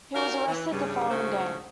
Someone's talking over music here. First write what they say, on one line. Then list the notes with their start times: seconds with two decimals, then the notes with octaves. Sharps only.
He was arrested the following day.
0.15 D#4 F#4 G4 A#4 D5 F5
0.47 E3
0.71 G2 C#3 G3
1.09 D2 G#2 C#3 A3 C5